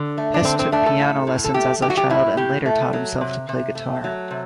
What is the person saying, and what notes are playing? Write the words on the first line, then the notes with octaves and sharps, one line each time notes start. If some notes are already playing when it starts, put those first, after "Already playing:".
Hest took piano lessons as a child and later taught himself to play guitar.
Already playing: D3
A3
D4
D3 C4
C4
A3 D4
A4
A2
A2
A4
A3 G4
F#3 G4
F#4
G4
A2 E4
A2 G4
A3
F#3
C3
C3
A3
F#3
C3